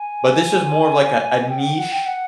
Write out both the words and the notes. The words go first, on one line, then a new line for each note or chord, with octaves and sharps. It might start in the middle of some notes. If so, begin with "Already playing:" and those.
but this was more of, like, a a niche
Already playing: G#5
G5
F#5
G5
F#5
G5
F#5